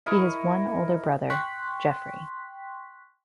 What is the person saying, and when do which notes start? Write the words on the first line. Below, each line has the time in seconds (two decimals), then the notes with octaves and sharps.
He has one older brother, Jeffrey.
0.06 E4 A#4 D#5 C#6
1.30 G5 C6 C#6 F#6 B6